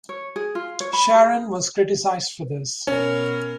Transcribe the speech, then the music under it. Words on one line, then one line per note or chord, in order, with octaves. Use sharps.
Sharon was criticized for this.
C#5
G#4
F4
C#5
B5
G#4
B2 C#4 A#4